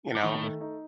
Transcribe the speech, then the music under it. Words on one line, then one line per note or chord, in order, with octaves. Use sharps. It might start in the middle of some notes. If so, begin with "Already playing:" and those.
You know?
G2
A2 D#3
A3
D#4